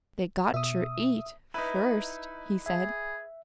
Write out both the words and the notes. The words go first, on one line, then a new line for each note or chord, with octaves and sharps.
"They got ter eat--first," he said.
B2 E5 D#6
D#4 E4 B4
G#4 E5